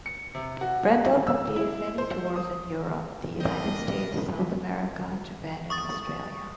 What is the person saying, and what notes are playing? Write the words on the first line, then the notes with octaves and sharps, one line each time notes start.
Brendel completed many tours in Europe, the United States, South America, Japan and Australia.
C#7
C3
F#4
E6
E4
C5
D#6
C4 D4 A#4 B4 D#5 G5
C#6 D#6 A6